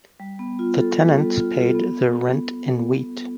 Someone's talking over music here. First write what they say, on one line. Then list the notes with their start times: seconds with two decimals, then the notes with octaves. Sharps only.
The tenants paid their rent in wheat.
0.20 G3
0.39 B3
0.59 F4
0.78 A4
0.97 G3
1.17 B3
1.37 F4
1.57 A4
1.75 B3